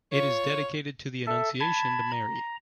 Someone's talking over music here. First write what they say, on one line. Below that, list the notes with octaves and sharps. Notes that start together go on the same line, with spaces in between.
It is dedicated to the Annunciation to Mary.
F4 C#5
A4 E5
A5 B5 G#6
A#5